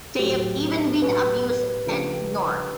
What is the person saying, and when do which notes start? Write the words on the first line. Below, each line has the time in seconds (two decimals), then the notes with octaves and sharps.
They've even been abused and ignored.
0.19 A2 F#3 A3 G4
1.02 A2 F#3 A3 B4
1.86 C#3 F3 A3 D4 G4